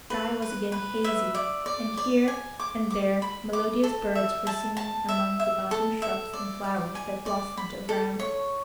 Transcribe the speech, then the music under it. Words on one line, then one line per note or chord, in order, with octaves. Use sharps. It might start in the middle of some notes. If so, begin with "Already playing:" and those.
The sky was again hazy, and here and there melodious birds were singing among the mountain shrubs and flowers that blossomed around.
B4
B4
B4
E5
D5
D5
D5
G#5
D6
D6
B5
D6
A4
E5
A5
A5
E5
E5
A4
E5
D5
D5
G#5
D5
B5
A4
C#5